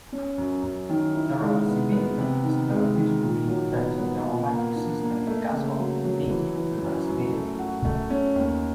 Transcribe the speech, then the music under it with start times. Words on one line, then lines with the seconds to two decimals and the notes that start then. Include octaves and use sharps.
The reversibility is very useful in protecting the aromatic system because of this reversibility.
0.12 C#4
0.38 F#2
0.63 F#2
0.89 D#3
1.15 E4
1.40 G#3
1.67 B3
1.92 B3
2.18 C3
2.44 D#3
2.69 G#3
2.95 D#3
3.21 A#2
3.47 F#3
3.73 B3
3.98 B3
4.24 A#2
4.49 A#3
4.76 D4
5.01 A#3
5.27 A3
5.53 C#3
5.79 F#3
6.04 F#3
6.30 E3
6.56 E3
6.82 F#2
7.07 F#2
7.33 A3
7.59 F#4
7.85 A3
8.10 C#4
8.36 D#2